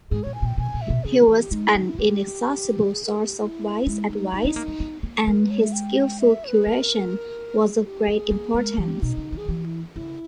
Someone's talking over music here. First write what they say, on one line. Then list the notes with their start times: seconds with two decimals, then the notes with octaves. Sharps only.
He was an inexhaustible source of wise advice, and his skillful curation was of great importance.
0.10 G#2 G#4
0.23 A#2 C#5
0.34 G#5
0.42 A#2 G5
0.58 B2 G#5
0.74 A#2
0.81 E5
0.90 B2
1.04 C#3 G#4
1.21 G#4
1.28 E3
1.36 G4
1.51 G#3 D#4
1.63 E4
1.75 A#3 D#4
1.87 E4
1.98 B3 G4
2.92 G#4
3.05 A#4
3.16 G#4
3.27 G4
3.40 E4
3.86 G#3 E4
4.10 G#3 D#4
4.32 A#3 E4
4.37 D#4
4.45 B3
4.56 A#3
4.68 A#3
4.80 B3
5.03 A#3
5.26 G#3 A#4
5.39 B4
5.50 C#5
5.62 E5
5.74 G5
6.20 E5
6.44 C#5
6.48 B4
6.67 A#3 A#4
7.61 G#4
7.85 G4
8.07 A#3 G#4
8.31 A#3
8.54 G#3 B4
8.58 A#4
8.78 E3 G4
9.02 B2 D#4
9.17 C#3
9.33 D#3 G#4
9.49 E3 G4
9.65 E4
9.95 C#3 E4